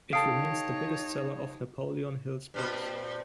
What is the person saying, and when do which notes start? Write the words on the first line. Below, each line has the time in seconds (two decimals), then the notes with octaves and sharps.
It remains the biggest seller of Napoleon Hill's books.
0.13 D#4 G4 A4 C#5 F5 D#6 C7 D7
2.54 G2 A#2 C4